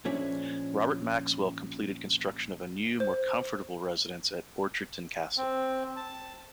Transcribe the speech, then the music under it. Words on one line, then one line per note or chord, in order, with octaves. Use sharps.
Robert Maxwell completed construction of a new, more comfortable residence at Orchardton Castle.
A#2 F3 C#4 D4 G#4 E5
C5
C4
A5